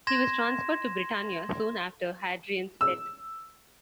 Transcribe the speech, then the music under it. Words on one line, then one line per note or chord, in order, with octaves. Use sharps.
He was transferred to Britannia soon after Hadrian's death.
C6 G#6 A#6 E7
E6